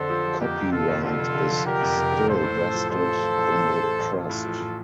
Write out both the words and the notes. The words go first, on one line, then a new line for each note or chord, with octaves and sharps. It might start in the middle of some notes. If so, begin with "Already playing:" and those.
Copyright is still vested in the Trust.
Already playing: F2 D3 A4 C5
F3
F3
F2 G4 A#4
F2
F1 F4 A4
F2
D3 F4 A4
F1
D3
F3
D3 G4 A#4
F2
F1
D3
A1 A4 C5
A2
A2
F3
A1 A4 C5
F3
F3
A1
A1
A3
A3
A1
A1 F4 A4
A2
F3
A2